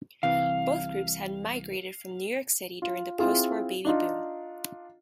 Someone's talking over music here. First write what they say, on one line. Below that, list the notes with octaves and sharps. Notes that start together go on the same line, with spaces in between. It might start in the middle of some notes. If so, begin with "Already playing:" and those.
Both groups had migrated from New York City during the post-war "baby boom".
C2 C3 E3 F5
F4
C4 E4 F4 G#4
D4 D#4 F4